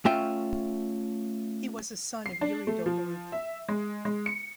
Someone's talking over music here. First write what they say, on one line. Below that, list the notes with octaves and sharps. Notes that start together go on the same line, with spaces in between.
He was a son of Yuri Dolgorukiy.
A3 C#4 F4 E5 G5
C7
D4
A3
F3
E5
G#3
G#3
C#7